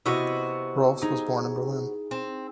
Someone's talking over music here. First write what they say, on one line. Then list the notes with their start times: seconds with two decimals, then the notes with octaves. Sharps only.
Rohlfs was born in Berlin.
0.06 C3 B3 E4 F#4 D#5
1.02 D#4 G#4
2.11 C4